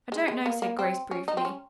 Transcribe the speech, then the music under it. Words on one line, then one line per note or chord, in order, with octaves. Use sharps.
"I don't know," said Grace briefly.
G#3
G#3
A#3
A#3
C4
C#4
D#4
C4
C#4